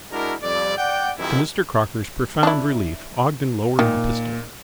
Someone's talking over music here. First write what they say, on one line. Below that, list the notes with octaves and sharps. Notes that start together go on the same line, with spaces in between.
To Mr. Crocker's profound relief Ogden lowered the pistol.
G#3 D4 E4 F#4 A#4
F2 G3 D5
D5 F#5 G5
B1 F#2 C3 D#3 F3 E4
D4 E4
A#2 D#3